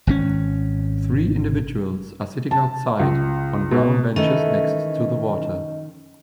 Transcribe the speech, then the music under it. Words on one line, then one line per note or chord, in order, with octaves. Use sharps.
Three individuals are sitting outside on brown benches next to the water.
G#1 B2 C#4
A5
C#2
B2
D#3 E3 A3 C#4 D#5